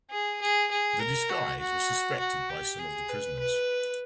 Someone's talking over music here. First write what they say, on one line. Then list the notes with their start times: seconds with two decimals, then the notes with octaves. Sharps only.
The disguise was suspected by some of the prisoners.
0.11 G#4
0.41 G#4
0.71 G#4
1.00 A#4
1.30 F#4
1.60 F#4
2.19 F#4
2.50 G4
2.79 G#4
3.09 B4
3.40 B4